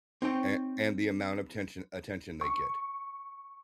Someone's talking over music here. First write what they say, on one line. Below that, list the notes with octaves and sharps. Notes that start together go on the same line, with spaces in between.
a and the amount of tention attention they get
C4 D#4 C#5 G5
C#6